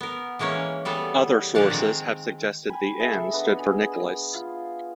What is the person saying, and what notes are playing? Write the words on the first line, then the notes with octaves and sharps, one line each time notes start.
Other sources have suggested the "N." stood for Nicolas.
B3 A#4
E3 G#3 A#3 C#4 C#5
G3 B3 G#4 A4
A#2 D3 F3 D5 F5 F#5
D#3 G#3 C4
G5 G#5 B5
G#4 A4 E5
B3 D4 D#5
G#4
F4